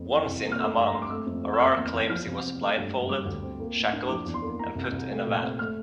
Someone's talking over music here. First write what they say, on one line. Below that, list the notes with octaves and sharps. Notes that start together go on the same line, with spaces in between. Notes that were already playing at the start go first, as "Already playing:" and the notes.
Once in Amman, Arar claims he was blindfolded, shackled and put in a van.
Already playing: F2
E3
C2
A#3
F6
A3 E6
G2
A#5
C4 C6
D6
A3 E6
F2
C4
E6
A#3 F6
E6
E2
F6
E2 G6
F3 F6
C2
C4
A3
G2
G2
G3 D6
D2
C4
A#3
A2
D4
F3 D6
E2
C6
A#3
E3 A#5
C2
G6
C2
A3
A#2
C4
A3 F6